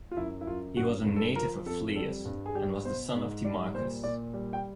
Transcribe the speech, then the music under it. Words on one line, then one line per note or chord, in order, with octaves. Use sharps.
He was a native of Phlius, and was the son of Timarchus.
F4
F#2 E4
E4
F#2 F4
G2 F#4
G2
A4
F3 A#4
F2 A4
G3 A4
G2
G#4
G3 G4
B2 C5
G#2
G3 D5
A#2 C5
A#2 D5
G3
G5